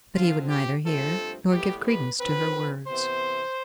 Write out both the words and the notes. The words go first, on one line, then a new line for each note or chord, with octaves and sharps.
But he would neither hear, nor give credence to her words.
D3 F3 C4 F4
G4
G2 F3 A3 C4 A4
A2 E3 G3 B3 G4
B4
D3 F3 C4 B4
C3 E3 B3 C5